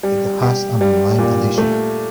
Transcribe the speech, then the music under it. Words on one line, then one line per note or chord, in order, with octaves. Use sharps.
It has an online edition.
G3
G4
G3
A#2
A3